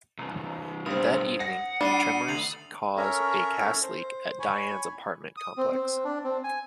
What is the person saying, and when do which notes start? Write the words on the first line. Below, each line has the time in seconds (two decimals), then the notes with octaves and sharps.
That evening, tremors cause a gas leak at Diane's apartment complex.
0.18 C2 G2
0.86 B1 G2 C4 A#4 D#6
1.40 F#5 A#6
1.81 G3 D4 A6 C7 D#7
2.28 D2 C7 F7 F#7
2.97 C#4 A4 A#4 C#5 E5 A#5
3.82 C5
4.39 C#5 G#5 B5 C#6
5.37 D#6
5.57 C4
5.72 C4
6.04 D4
6.24 C4
6.44 G#5